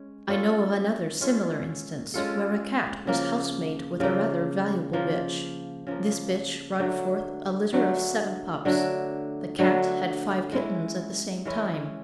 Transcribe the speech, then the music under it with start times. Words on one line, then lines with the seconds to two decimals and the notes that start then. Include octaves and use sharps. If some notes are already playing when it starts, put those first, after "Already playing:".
I know of another similar instance, where a cat was house-mate with a rather valuable bitch; this bitch brought forth a litter of seven pups. The cat had five kittens at the same time.
Already playing: G#3 C#4
0.28 G#3 C#4 F4 A4
1.21 G#3 C#4 F4 A4
2.14 G#3 C#4 F4 A4
3.07 C#3 F3 A#3
4.00 C#3 F3 A#3
4.93 C#3 F3 A#3
5.87 C#3 F3 A#3
6.79 D3 F#3 A3 D4
7.73 D3 F#3 A3 D4
8.65 D3 F#3 A3 D4
9.59 D3 F#3 A3 D4
10.52 E3 G#3 C#4 E4
11.45 E3 G#3 C#4 E4